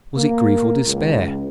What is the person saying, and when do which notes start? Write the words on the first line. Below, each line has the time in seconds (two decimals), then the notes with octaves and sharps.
Was it grief or despair?
0.16 A#3
0.84 C#2